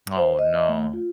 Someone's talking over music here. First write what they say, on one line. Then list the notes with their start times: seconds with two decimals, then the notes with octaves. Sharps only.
Oh no.
0.17 C5
0.39 D#5
0.69 A3
0.94 F4